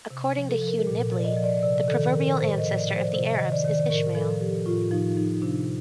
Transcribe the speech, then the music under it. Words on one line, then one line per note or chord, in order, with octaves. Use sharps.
According to Hugh Nibley, the proverbial ancestor of the Arabs is Ishmael.
C3
F3
A4
F3
A#4
A#2
F3
D5
D#5
F3
D5
C3 D5
D#3 A4
D#3 A#4
A2 C5
D#5
F3
D5
F3
C5
C3 C5
D#5
D#3
D5
D#3
A2 A#4
F3 A4
F3 G4
A2 F4
F3 D#4
F3 D#4
C3 D4